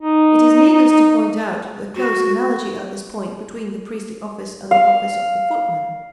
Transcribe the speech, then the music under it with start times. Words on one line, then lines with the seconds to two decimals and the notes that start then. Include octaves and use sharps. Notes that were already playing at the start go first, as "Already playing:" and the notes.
It is needless to point out the close analogy at this point between the priestly office and the office of the footman.
0.01 D#4
1.96 F#4
4.71 F5